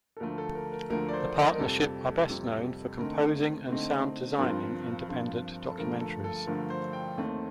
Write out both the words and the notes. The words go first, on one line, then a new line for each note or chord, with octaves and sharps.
The partnership are best known for composing and sound designing independent documentaries.
A4
D2 D3 F3 A3 A#4
A4
A#4
A#4
D2 D3 F3 A3 A#4
D5
C5
D#5
A#4
F2 C3 G3 A4
F2 C3 G3
D3 A3 C4 D#4 A#4
D3 A3 C4 D#4
G2 F3 C4 F4 A#4
G2 F3 C4 F4
A4
G2 D3 F3 A3 A#4
A4
A4
G2 D3 F3 A3 A#4
C5
G5
D#2 D#3 A3 C4